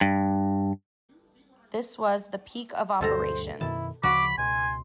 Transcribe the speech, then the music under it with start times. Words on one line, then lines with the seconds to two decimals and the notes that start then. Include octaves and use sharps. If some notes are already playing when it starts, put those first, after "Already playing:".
This was the peak of operations.
0.01 G2
3.01 D2 G2 B2 A4 C5 A#5
3.61 F#2 B2 D#3 E4 A5
4.03 D2 C#3 F3 F#4 B5 D6
4.38 C#2 B2 G#5 C6